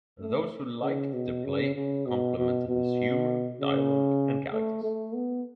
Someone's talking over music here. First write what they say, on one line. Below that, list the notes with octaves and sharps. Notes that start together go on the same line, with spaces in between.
Those who liked the play complimented its humor, dialogue, and characters.
A3
C#3
B2
C#3
C#3
B2
B2
B2
C#3
A3
A3
B3